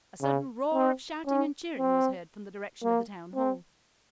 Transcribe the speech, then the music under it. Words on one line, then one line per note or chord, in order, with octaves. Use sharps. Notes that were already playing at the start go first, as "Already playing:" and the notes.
A sudden roar of shouting and cheering was heard from the direction of the Town Hall.
C#3
C4
C#4
C4
A#3
C4